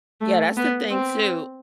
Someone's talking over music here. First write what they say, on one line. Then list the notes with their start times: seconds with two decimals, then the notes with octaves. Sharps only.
Yeah, that's the thing, too
0.21 A3
0.57 B3
0.91 C4